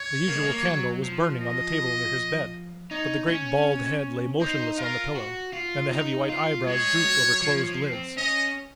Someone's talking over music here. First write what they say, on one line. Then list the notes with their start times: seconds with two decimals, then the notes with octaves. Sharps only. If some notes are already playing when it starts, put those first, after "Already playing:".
The usual candle was burning on the table near his bed, but the great bald head lay motionless on the pillow, and the heavy white eyebrows drooped over closed lids.
Already playing: C#5
0.27 A#3
0.35 G#3
0.44 A#3
0.65 F#3
1.03 F3
1.41 D#5
2.91 D#4 C#5
3.28 C#4 C#5
4.41 D#4 C5
4.78 F4 A#4
5.16 F#4
5.53 F4
5.92 D#4
6.29 F4
6.67 G#3 C#5
7.04 F#3
7.42 F3
7.67 F3
7.92 C4
8.17 C#4 D#5